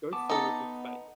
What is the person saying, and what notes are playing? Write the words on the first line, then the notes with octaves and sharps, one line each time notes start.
Go forward with faith!
B3 A5 D6
D#4 A4